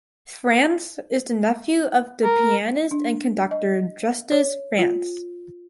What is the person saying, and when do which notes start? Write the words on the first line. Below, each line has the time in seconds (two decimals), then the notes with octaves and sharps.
Frantz is the nephew of the pianist and conductor Justus Frantz.
2.24 A#4
2.91 D4
3.51 D#5
4.32 C#5
4.79 F4